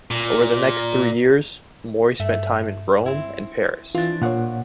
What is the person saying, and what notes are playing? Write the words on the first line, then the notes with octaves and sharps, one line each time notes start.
Over the next three years, Mori spent time in Rome and Paris.
A#2
G2 A3 E5
C4 E4
E3 C4 D4 F4 A6
A#2 F4 C#5 F#5